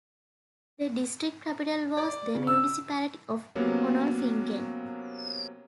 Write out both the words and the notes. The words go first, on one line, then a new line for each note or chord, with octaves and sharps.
The district capital was the municipality of Konolfingen.
D5
C#3
E6
C3 F#3 A#3 B3 C#4